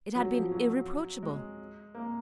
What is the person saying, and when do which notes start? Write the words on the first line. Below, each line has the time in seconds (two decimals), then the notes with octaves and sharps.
It had been irreproachable.
0.15 F#3
0.33 F3
0.51 F#3
1.23 G#3
1.95 A#3